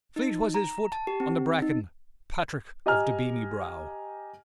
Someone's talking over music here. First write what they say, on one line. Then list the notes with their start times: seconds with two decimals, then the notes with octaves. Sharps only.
Fleet was his foot on the bracken: Patrick of the beamy brow.
0.16 D#4
0.54 A#5
0.92 A5
1.07 G4
1.20 C4
1.62 D#4
2.86 G4 D#5 G#5 A#5 F6